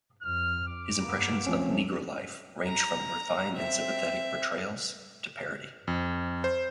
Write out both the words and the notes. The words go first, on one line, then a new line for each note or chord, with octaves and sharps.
His impressions of "negro life" ranged from refined and sympathetic portrayals to parody.
F2 F6
D6
G2 A#3 B3
D2 F3 A3 A#3 C4 C#4
A#5
C4 E5
F2
C5